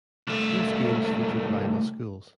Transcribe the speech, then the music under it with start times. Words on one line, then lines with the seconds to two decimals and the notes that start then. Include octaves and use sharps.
Both games featured rival schools.
0.27 C2 A3